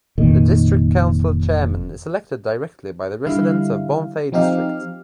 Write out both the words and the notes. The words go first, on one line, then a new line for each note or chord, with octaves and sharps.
The District Council Chairman is elected directly by the residents of Bonthe District.
F1 A#2 D#3
D3 G3 E4 F5
F3 C4 D#4 G4 F5 F6